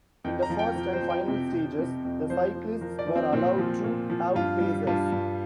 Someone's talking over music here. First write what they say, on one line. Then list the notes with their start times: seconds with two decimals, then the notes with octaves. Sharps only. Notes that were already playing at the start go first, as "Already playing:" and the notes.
In the first and final stages, the cyclists were allowed to have pacers.
0.24 F2 G5
0.43 A#5
0.50 F3
0.59 G5
0.76 F3
0.93 C5
1.02 F2
1.10 G5
1.28 C3
1.53 C3
1.79 C3
2.05 F2
2.30 F3 C5
2.55 F3
2.81 F3 A#4
2.99 D5
3.06 F3
3.15 C4
3.33 A#2 C4
3.58 F3
3.84 A#2
4.10 F3
4.35 G2 F4
4.61 G3
4.87 G2 F4
5.13 G2